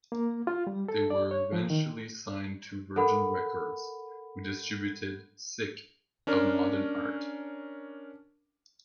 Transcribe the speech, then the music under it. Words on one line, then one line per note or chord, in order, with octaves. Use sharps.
They were eventually signed to Virgin Records, who distributed "Sick of Modern Art".
A#3
F4
G3
A4
D5
C#5
F3
D#3
A4 A#4 F#5 B5
C#4 D4 A#4